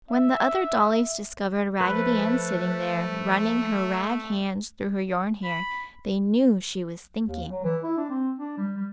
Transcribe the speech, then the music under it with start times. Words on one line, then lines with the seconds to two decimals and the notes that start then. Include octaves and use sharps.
When the other dollies discovered Raggedy Ann sitting there, running her rag hands through her yarn hair, they knew she was thinking.
0.11 E5
1.81 F3 A3 B4
5.44 B5
7.27 D#2
7.50 F#3
7.64 E3
7.83 E4
7.97 D4
8.10 C4
8.39 D4
8.57 G3
8.77 G3